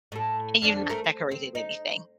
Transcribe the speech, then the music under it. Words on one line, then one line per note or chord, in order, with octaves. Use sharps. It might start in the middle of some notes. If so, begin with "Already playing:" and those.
and you've not decorated anything.
A2 A4
F2 D3 D4
A3 A#4
C5
C4
D#4